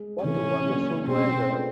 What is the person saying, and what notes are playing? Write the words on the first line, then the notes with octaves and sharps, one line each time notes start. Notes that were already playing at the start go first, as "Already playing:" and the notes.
What a wonderful weather!
Already playing: G#3
C3 E3 A3 C#4
C#3 F#3 A#3 D4
B2 G#3 C4 C#4
A3 D4 F4 G#4 B4